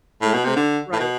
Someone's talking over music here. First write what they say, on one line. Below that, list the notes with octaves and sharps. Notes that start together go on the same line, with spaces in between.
Mhm, right.
A2
B2
C3
D3
A2
B2